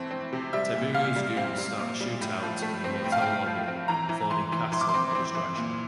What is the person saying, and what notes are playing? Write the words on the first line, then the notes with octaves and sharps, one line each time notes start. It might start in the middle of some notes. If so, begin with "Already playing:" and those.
Tiberiu's goons start a shootout in the hotel lobby, affording Castle a distraction.
Already playing: E3 A3 C4
C4
C3
G3 E5
A#2
A#2 F5
G3
C4 F5
G3
A#2
G3
A2
F3
A3
C4
A2 G5
F5
G5
A2
F3
C4
E3 A#5
E3
E3 C6
E3
E3 C6
D6
C6
C4
C4
E3
A#2